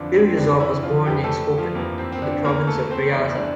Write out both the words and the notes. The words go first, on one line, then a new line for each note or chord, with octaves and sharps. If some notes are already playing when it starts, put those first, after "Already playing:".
Biryuzov was born in Skopin, in the province of Ryazan.
Already playing: F2 D3 E3 F3 D4 F4
C4
F2 D3 E3 D4
E3 E4
F3 F4
F2 C3 E3 G3 G4
A3 A4
F3 F4
F2 C3 E3 A#3
C4
C4
D3 D4
E2 E3 A#3 A#4
A3 A4
C4 C5
E2 E3 D5
E5
D4 D5